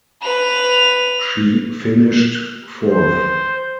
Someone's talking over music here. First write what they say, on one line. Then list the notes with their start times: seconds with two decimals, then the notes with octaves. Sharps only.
She finished fourth.
0.23 B4 F7
2.88 C5